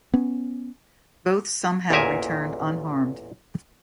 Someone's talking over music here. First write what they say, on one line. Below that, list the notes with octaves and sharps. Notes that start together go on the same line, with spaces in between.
Both somehow returned unharmed.
B3 C#4
A1 E2 A#2 A#4 E5 G#5